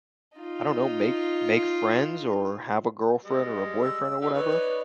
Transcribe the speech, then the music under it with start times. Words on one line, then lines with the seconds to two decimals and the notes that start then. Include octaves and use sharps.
I don't know, make make friends or have a girlfriend or a boyfriend or whatever,
0.37 D#4 F4
3.24 G3 G#3 D#5
3.81 E6
4.21 D#4 G4 F5
4.34 D#4 B4 C#5 D5